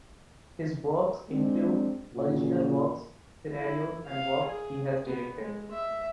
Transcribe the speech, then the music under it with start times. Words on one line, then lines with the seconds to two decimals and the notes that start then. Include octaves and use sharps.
His works include original works, scenarios and works he has directed.
1.29 G#3 C4 D4
2.13 A#2 C#3 F#4
3.53 E4
4.05 F5
4.43 G#4
5.06 B3
5.39 G#3
5.71 E5